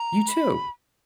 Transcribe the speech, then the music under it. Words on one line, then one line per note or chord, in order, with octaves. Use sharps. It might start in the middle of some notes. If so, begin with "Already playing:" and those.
You too.
Already playing: A#5
B5